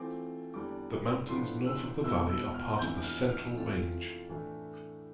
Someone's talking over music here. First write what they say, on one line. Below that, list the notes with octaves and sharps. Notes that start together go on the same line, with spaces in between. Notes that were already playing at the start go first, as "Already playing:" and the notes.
The mountains north of the valley are part of the Central Range.
Already playing: E3 A3 C4 F4 D6
E2 D3 G3 D4 D6
A2 F3 B3 D4 F4 C6
E6
B2 B3 E4 E6
E6
F6
F2 C3 E3 B3 D4 G6
F6
F6
F2 E3 A3 C4 F4
A2 E3 A3 D4